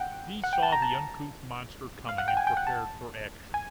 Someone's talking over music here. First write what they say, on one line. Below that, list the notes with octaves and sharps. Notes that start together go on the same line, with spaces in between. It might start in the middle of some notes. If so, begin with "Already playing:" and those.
These saw the uncouth monster coming and prepared for action.
Already playing: F#5 G5
F#5
G5
A5
A#5
A5
F5
F#5
G5
G#5
G5
F#5
A5
G#5